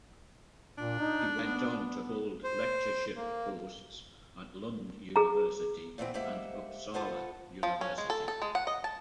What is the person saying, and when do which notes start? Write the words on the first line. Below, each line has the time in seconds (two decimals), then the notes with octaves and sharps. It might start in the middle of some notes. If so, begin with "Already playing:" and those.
He went on to hold lectureship posts at Lund University and Uppsala University.
0.78 A#2 D4
0.99 D#4
1.39 B3
2.43 C5
3.16 A#3
5.16 G#4 A#5
5.98 A#2 E3 B3 C4 G5
6.14 G#3 A#3 G4 C5 E5 F#5
6.94 F4 A4 B4 C5 F#5
7.63 F3
7.81 C#4
7.98 G#3
8.10 A4
8.28 A4
8.42 G#3
8.55 F#5
8.67 D#5
8.84 A5